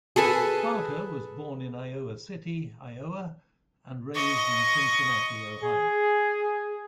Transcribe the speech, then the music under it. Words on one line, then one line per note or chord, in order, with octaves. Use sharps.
Parker was born in Iowa City, Iowa and raised in Cincinnati, Ohio.
G#4 A4 B4 G#5
D#5 C#6
G#4